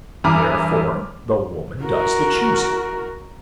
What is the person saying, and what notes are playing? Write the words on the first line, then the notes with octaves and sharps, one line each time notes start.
Therefore the woman does the choosing.
E2 G2 A#5 B5 D6 F6
F#4 A#4